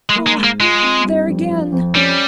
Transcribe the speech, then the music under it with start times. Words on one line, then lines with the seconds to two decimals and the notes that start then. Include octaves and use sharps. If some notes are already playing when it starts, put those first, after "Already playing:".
Hah! there again!
0.09 G#3
0.16 A#3
0.26 G#3
0.37 G#2
0.44 A#3
0.60 G#3 F4
0.83 C4
1.05 G2
1.28 F2
1.51 F3
1.72 F2
1.95 G3 C#4